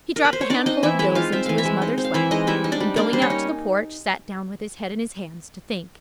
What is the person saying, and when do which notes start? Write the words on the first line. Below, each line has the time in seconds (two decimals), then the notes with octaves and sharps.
He dropped the handful of bills into his mother's lap, and, going out to the porch, sat down with his head in his hands, to think.
0.16 A#4
0.25 B4
0.33 C5
0.41 C#5
0.50 D4 D#4 D5
0.66 C4 D#4 D#5
0.83 E3 E4 E5
0.99 G#3 E4 E5
1.15 D#4 F4 F5
1.32 C4 E5
1.46 E3 F5
1.58 E4 E5
1.65 G#3
1.82 D#4
1.98 C4
2.04 F5
2.14 E3 E4 E5
2.31 G#3 D#4 D#5
2.47 G3 E4 E5
2.64 D#4
2.72 D4 D5
2.80 G3
2.96 A#3 D4 D5
3.13 G3 C5
3.22 C#4 C#5
3.30 D#4